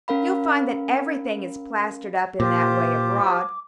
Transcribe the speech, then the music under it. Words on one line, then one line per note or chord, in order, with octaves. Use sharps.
"You'll find that everything is plastered up in that way abroad."
C#4 A#4 F5 B5
A#2 F4 G4 C5 D6